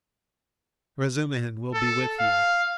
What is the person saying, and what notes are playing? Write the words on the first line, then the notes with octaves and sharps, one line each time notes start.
Razumihin will be with you.
A4
F5